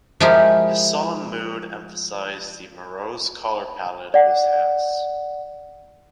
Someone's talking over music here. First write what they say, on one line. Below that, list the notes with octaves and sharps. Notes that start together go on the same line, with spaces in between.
His sullen mood emphasized the morose color palette of his house.
F3 G#3 E4 G4 A#4
D5 F#5